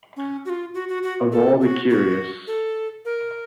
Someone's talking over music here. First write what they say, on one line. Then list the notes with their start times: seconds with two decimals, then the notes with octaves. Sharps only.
Of all the curious!
0.17 C#4
0.45 F#4
0.50 F4
0.74 F#4
0.89 F#4
1.03 F#4
1.32 A4
1.61 A4
1.66 F#4
1.90 F#4
2.47 A4
3.05 A#4